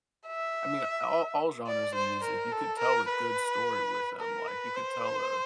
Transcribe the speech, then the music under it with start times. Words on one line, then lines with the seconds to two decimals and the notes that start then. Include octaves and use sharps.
I mean, all all genres of music, you could tell a good story with them, like, you could tell a
0.27 E5
1.67 D5
1.95 C5
2.24 A#4
2.52 A4
2.79 A#4
3.08 B4
4.20 A#4
4.48 B4
4.76 C5